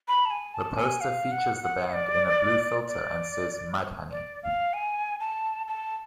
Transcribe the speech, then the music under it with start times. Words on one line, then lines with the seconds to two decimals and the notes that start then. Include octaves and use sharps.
The poster features the band in a blue filter and says Mudhoney.
0.08 B5
0.25 A5
0.30 G#5
0.54 A5
0.77 G#5
1.01 F5
1.32 F#5
1.63 F#5
1.94 D5
2.88 D5
4.11 D5
4.43 F5
4.73 G#5
5.20 A5
5.68 A5